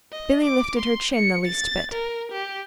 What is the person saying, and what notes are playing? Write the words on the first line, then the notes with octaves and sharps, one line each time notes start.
Billy lifted her chin the least bit.
D#5
D6
C6
C#7
A6
A#4
G4